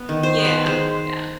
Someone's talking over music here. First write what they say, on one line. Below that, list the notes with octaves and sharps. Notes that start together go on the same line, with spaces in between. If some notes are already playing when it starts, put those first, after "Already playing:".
Yeah. Yeah.
Already playing: B3
D#3
C5
B3
B4
G#3 C5